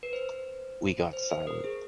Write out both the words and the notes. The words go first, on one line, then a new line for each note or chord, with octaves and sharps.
We got silent.
B4
C5
C5
C5
A#4
G#4